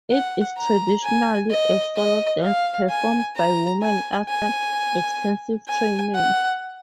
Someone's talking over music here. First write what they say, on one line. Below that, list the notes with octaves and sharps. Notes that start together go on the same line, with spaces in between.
It is traditionally a solo dance performed by women after extensive training.
F#5
A#5
G#5
D#5
D#5
F5
G#5
A#5
G#5
G#5
G#5
F#5